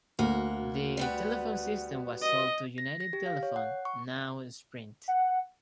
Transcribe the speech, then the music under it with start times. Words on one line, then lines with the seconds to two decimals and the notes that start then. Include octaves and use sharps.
The telephone system was sold to United Telephone, now Sprint.
0.19 D2 A#3 F#4
0.97 G3 B3 F#4
2.22 D#5
2.78 A#6
3.00 A#6
3.13 G4
3.26 F5
3.43 C#5
3.56 F#5
3.85 C#6
5.08 F#5